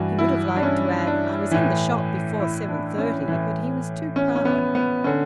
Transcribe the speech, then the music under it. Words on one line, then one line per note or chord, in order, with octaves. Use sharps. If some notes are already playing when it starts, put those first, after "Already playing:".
He would have liked to add: "I was in the shop before seven-thirty," but he was too proud.
Already playing: G2 E3 F#4
E4
D4
C#4
D4
A2 E3
E4
D4
C#4
A2 E3
C#4
C#4
B3
B3
D3 C#4